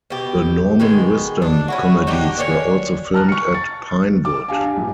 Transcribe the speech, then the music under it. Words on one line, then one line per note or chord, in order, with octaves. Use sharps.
The Norman Wisdom comedies were also filmed at Pinewood.
B2 G4
B2 D#3 G#3
D4
C#4 E4 F#4
D4 D#4 F#4 G4
A#3 D4 C#5 G#5
A5 A#5 F6 F#6
C#6 C#7
A6
D6
D4 G4 F5 G#5
A#1 G2